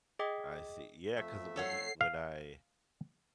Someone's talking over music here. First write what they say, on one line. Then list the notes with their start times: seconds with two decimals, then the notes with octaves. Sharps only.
I see. Yeah, 'cause when you when I
0.19 G#4 D#5 G5 D6 D#6 B6
1.16 F2 A3 E5
1.56 A4 C#5 F#5 C7
2.01 F5